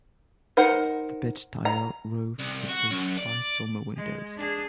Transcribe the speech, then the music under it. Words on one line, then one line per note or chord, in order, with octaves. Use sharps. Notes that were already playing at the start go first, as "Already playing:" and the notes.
The pitched tile roof features fice dormer windows.
D#4 A#4 C5 F#5
A#5
C2
F#4
F#2
D5
G#3
D4 G#4